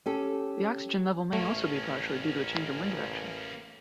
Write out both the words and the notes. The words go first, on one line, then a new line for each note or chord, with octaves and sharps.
The oxygen level may also be partially due to a change in wind direction.
C#4 G4 A4
A1 A3 A#3 C#4